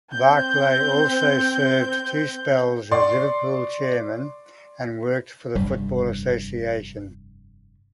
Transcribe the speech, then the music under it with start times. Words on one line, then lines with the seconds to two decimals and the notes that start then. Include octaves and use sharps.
Barclay also served two spells as Liverpool chairman and worked for the Football Association.
0.13 C4 G6
2.91 D5 C6 C#6
5.55 F1 G2 G3